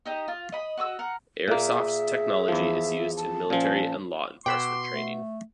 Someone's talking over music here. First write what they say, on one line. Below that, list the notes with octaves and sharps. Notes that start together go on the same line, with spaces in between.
Airsoft technology is used in military and law enforcement training.
D#4 G4 D#5
F4
D#5 B5
F#4 D#5 D6 E6
A#4 F#5
A#2 A#3 G#4 E5
E2 F3
A5
A#2 F3 C#4
B2 F#4 G5 B5 C6 D6 E6
A3